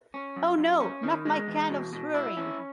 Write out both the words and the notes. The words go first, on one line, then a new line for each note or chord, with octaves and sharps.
Oh no, not my kind of swearing.
C#4
F#2
F#2
C#4
D#3
G#3
E2
B2
B2
E4
C#4